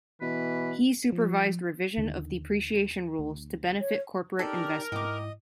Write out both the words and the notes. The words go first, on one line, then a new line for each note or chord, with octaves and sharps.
He supervised revision of depreciation rules to benefit corporate investment.
B2 E3 B4
F3
D#2 D3 D#3
D2
C#5
D#4 G4 A4 A#4 D5
G#2 E4 D#5 G5 D6